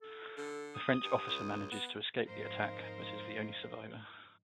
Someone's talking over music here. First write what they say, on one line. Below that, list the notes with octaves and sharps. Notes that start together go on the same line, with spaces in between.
The French officer manages to escape the attack, but is the only survivor.
A4
D3 A4
D#6
G2
C#2
B3
F2 G#2 D#4 A#4 C5 F5